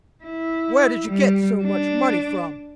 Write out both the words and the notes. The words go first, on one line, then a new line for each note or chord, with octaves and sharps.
'Where did you get so much money from?'
E4
G3
D4